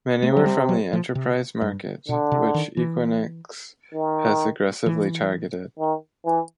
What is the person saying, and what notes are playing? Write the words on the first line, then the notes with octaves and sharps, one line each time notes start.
Many were from the enterprise market, which Equinix has aggressively targeted.
C3 A3
F#3
G3
F#3
F3
C3
G2
B2 D3
C3
D#3
E3
D#3
E3
D#3
E3